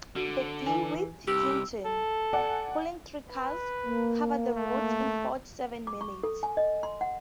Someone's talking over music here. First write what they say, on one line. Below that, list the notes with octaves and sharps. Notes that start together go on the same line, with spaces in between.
The DeWitt Clinton, pulling three cars, covered the route in forty-seven minutes.
D3 F#4
E3 G#5
C2 G4 E6
A4
D5 F#5 G#5
B4
A#3
A3
D6
C#6
A4
G#5
D#5
C6
F#5